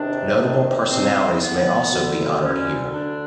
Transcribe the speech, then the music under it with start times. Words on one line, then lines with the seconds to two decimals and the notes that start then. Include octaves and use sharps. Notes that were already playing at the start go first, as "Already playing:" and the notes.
Notable personalities may also be honoured here.
Already playing: E2 C3 D#3 D4
0.90 C4
1.30 C4
1.41 B3
1.92 D2 D3
2.43 C#4
2.94 D4